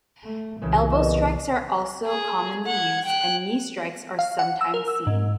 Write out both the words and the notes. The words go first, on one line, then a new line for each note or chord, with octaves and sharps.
Elbow strikes are also commonly used, and knee strikes are sometimes seen.
A3
C2 A#2 C#3 E3
E2 B4 D#5 E6
G#4
F#5 G#6
G5 F#6
F5
F#5
E6
A#4
E6
G#2